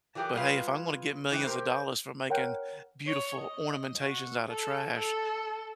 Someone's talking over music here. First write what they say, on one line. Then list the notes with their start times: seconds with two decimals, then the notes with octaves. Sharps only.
But, hey, if I'm gonna get millions of dollars for making beautiful ornamentations out of trash,
0.15 E3 F#3 G4 G#4 A#4
0.33 G3 F4 G#4 B4 F5
1.31 E3 G#3 C4 D#4 E4
1.45 G4 A#4 C5
2.30 A#4 C#5 F#5 G5
3.07 C#5
3.41 D#5
4.00 F#4
4.47 A4
4.95 A4